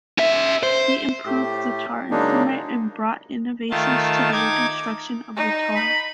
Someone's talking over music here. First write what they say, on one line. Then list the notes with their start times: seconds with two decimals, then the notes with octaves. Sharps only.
He improved the tar instrument and brought innovations to the reconstruction of the tar.
0.18 C#4 E5
0.63 C5
1.26 A2 A3 G4
2.11 C#3 F#3 G#3 A#3 D4 D#4
3.71 D#3 A3 F4 A5
4.32 D#4 D6 G#6
5.36 D#4
5.75 B5